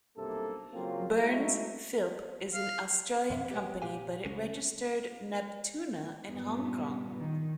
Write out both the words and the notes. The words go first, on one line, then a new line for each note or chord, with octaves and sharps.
Burns, Philp is an Australian company but it registered "Neptuna" in Hong Kong.
B1 G2 C3 A#3 A4
C#3 F#3 A#3 C4 F4
F#3 G#3 A3 D#4 E4 F#4
F5
F2 B2 B3 C5 E5
G4 B4 C#5 D5 F#5 G5
A#2 G4 F5 G#5
C#2 G#3 C#4
G2 A#2 B3
D#3